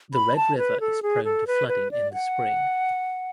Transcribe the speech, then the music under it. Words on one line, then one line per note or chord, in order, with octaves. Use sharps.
The Red River is prone to flooding in the spring.
B5
A5
B4
A4
G#4
A4
B4
B4
D5
F#5